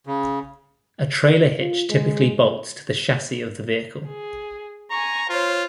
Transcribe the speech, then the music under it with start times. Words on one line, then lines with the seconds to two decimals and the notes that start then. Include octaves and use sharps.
A trailer hitch typically bolts to the chassis of the vehicle.
0.07 C#3
1.58 F4
1.90 G#3
4.07 G#4
4.91 G#5 A#5 C#6
5.30 F4 C5 C#5